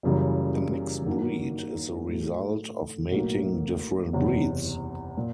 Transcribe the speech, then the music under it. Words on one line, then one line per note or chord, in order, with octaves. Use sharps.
A mixed breed is the result of mating different breeds.
F#1 F#2 C#3 E3 G3
G2 D#3 F#3 A#3
A2 F#3 A3
B1 A2 F#3 A#3
F#1 E2 C3
A#2